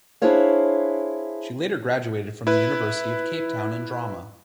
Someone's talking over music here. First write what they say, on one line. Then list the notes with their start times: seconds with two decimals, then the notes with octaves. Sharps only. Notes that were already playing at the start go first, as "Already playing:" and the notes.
She later graduated from the University of Cape Town in drama.
0.22 D4 E4 G#4 C5 C#5 F5
2.47 E4 B4